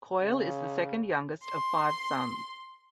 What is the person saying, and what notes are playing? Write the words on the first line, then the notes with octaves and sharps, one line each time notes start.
Coyle is the second youngest of five sons.
C#3
C6